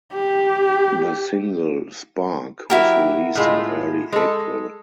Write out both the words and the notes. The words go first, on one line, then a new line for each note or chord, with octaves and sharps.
The single "Spark" was released in early April.
G4
F#3 E4 F#4 G4 A#4
A2 G#3 F4
G#3 A4